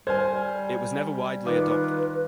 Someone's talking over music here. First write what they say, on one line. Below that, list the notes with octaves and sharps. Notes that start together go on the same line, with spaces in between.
It was never widely adopted.
G3 C5 G#5 F6 G#6
D#3 F4 B4 D6